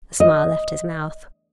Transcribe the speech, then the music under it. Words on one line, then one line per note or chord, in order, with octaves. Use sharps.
The smile left his mouth.
D#5